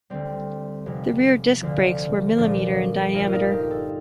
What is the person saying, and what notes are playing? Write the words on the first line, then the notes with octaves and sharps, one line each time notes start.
The rear disc brakes were mm in diameter.
D2 D3 G3 C4
F1 F2 C3
D2 D3 F3
A#1 A#2 F3 D4
G1 G2 D3 A#4
F4
D#4
G4
A4